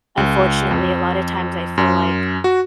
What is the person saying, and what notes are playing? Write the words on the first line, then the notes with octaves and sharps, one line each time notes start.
unfortunately, a lotta times, I feel like,
C#2
F2
F#2
F#4